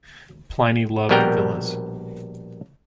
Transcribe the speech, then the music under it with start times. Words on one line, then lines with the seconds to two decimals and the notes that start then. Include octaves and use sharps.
Pliny loved villas.
1.09 A#1 B2 G3 B3 A#4 G5